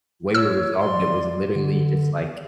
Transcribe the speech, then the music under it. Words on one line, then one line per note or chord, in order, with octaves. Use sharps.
the way we resolved it was literally just, like,
C#5 E6
D5 C6
D3